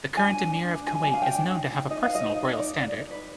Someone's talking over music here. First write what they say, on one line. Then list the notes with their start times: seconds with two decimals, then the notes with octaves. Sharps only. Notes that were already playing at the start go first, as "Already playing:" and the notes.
The current Amir of Kuwait is known to have a personal royal standard.
0.17 D4 G#5
0.35 D4
0.52 D4
0.69 D4
0.86 G#4 G#5
1.03 D4 G#5
1.14 F5
1.21 D4 G5
1.38 D4
1.55 D#4
1.73 D#4
1.90 D#4 D#5
2.03 F5
2.08 B4
2.15 D#5
2.25 D#4
2.42 G#4
2.59 D#4 D5
2.77 D#4
2.93 D#4
3.11 B4